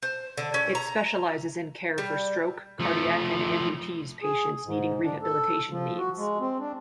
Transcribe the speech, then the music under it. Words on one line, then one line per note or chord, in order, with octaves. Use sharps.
It specializes in care for stroke, cardiac and amputees patients needing rehabilitation needs.
C5
D3
C#4
A#5
G3
F3 A3
G#4
G#2
D4
A4
F3
F#4
G#3
C4
D4